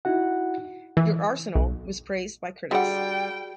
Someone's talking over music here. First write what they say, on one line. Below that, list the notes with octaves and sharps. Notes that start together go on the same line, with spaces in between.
"Your Arsenal" was praised by critics.
D#4 E4 F#4 F#5
E3
B1
D3 G3 F#4 G#4 F#5 G5